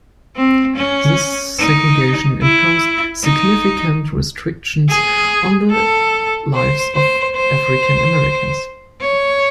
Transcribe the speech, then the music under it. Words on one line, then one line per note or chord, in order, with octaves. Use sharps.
This segregation imposed significant restrictions on the lives of African-Americans.
C4
C#4
D#4
E4
D#4
G#4
A4
C5
C5
C5
C#5